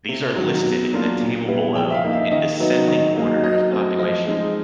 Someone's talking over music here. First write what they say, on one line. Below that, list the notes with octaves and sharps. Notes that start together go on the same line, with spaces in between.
These are listed in the table below, in descending order of population.
C3
D#3 F#3
B2
F#3 A#3 D4 F4
A#2
G3 B3 E4
F3 G5
E5
F5
A#3 D#4
E5
D#3 D#5
F#3 B3 D#4
D#3 D#5
F#3 A#3 D#4
F#3 D#5
A3 C4
F3 D#5
G#3 C4 D#4